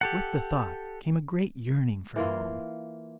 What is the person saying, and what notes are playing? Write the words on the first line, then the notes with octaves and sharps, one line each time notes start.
With the thought came a great yearning for home.
G4 A4 F#5
E3 A#3 F4